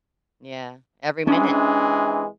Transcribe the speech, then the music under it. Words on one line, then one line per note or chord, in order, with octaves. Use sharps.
Yeah. Every minute.
C3 E3 G#3 C#4 D4